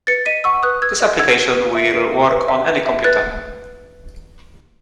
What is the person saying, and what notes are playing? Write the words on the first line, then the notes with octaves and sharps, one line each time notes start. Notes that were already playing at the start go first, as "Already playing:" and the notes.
This application will work on any computer.
B4 A6 C#7
D#5 B6 D#7
F#5 C#6 E6
B4 D#6 F#6
B4 E6 G#6
D#5
F#5 E6 G#6
B4
B4
E5
B4
E5
B4
E5
B4
E5
B4 F#6 A6